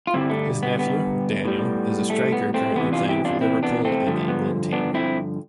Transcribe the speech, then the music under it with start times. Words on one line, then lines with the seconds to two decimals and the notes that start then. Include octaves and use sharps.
His nephew, Daniel, is a striker currently playing for Liverpool and the England team.
0.07 F4
0.14 G2 D3 G3 C4 E4
0.30 A3
0.63 B3
0.79 B3
1.45 A2 G3
2.10 A3
2.32 B3
2.54 A3 C4
2.75 E2 C3 E3 B3
2.92 D4 F4
3.09 E4 G4
3.25 D4 F4
3.41 C4 E4
3.63 B3 D4
3.85 A3 C4
4.07 G2 D3 F3 A3
4.28 B3
4.72 B3 D4
4.94 C4 E4